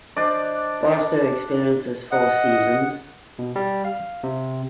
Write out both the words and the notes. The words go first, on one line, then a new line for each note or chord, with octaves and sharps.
Barstow experiences four seasons.
D4 C5 D5 D#5
D#5 F#5
B2
G3
F5
C3